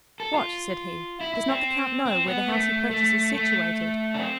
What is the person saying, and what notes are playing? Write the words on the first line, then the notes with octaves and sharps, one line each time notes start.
"What!" said he, "does not the count know where the house he purchases is situated?"
A4
F4
E4
E4
C4
C4
B3
A3
A3
A3
D4
C4